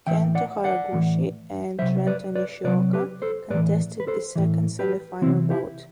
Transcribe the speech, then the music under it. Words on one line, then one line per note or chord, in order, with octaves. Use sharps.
Kento Haraguchi and Renta Nishioka contested the second semifinal bout.
A2 E3 E5 G5
D5 F#5
D5 F#5
A2 E3
C3 F#3 C5 E5
B4 D5
B4 D5
C3 F#3 B4 D5
G4 B4
A4 C5
A2 E3 B4 D5
B4
A4 C5
A2 E3
G4 B4
C3 E3 C4 E4
E4 G4